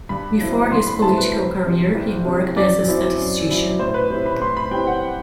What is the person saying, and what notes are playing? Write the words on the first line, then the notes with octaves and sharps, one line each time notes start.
Before his political career he worked as a statistician.
G2 B5
F#3 A3 C4 E4
G2 C6
B5
F#3 A3 C4 E4 A5
B4
C2 C5
C3 G3
C2
C3 G3
F#2 D5
F#3 C4 E4
F#2
F#3 C4 E4
A2 C5
C5
B4
G3 C4 E4 C5
B5
A2 C6
B5
G3 C4 E4 G5
F#5